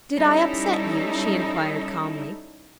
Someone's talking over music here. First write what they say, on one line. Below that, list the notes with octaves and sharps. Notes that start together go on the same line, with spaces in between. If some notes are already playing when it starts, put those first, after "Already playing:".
"Did I upset you?" she inquired calmly.
G3 C#4 D#4 E4 A4